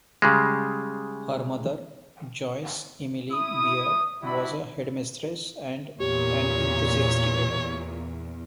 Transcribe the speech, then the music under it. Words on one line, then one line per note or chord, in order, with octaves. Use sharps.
Her mother, Joyce Emily Beard, was a headmistress and an enthusiastic reader.
C#3 G3 G#3
E4 D#6
G3 D4 E4 F#4 E5 B5
E2 A#2 G4 C#5